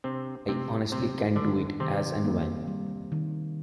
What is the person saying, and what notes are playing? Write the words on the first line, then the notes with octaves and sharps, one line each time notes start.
I honestly can do it as and when.
C3 C4 D4
C3 A3 C4
C3 F#3 C4
D3 D#3 D4
C3 D#3 C4
A#3
G3
D#3